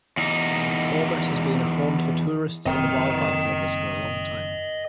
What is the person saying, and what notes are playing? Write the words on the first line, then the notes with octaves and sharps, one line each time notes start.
Corbett has been a haunt for tourists and wildlife lovers for a long time.
E2 D#4
F#1 D#3 C4 D#5 G5